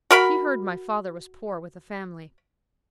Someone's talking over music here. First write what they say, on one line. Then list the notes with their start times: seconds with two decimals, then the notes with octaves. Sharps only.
He heard my father was poor, with a family.
0.11 F#4 A#4 B5